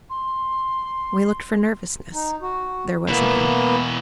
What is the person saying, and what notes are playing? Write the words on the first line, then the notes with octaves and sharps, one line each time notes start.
We looked for nervousness--there was none.
C6
D#4
F#4
B2 E3 A#3 B3 E4